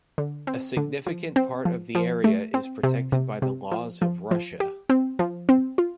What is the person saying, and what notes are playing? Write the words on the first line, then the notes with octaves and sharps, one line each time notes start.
A significant part of the area is protected by the laws of Russia.
D3
C4
D3
F3
C4
F3
F3
A3
C4
C3
C3
C3
F3
F3
F3
G4
C4
F3
C4
F4